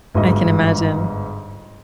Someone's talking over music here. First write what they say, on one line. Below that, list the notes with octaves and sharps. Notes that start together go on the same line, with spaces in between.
I can imagine.
G1 G#2 F#4 D#5